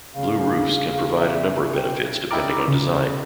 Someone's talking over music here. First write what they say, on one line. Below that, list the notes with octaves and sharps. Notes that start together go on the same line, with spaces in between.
Blue roofs can provide a number of benefits depending on design.
C#3 F5
E5
G5
D#4 E4 G4 A#4 D5
C#3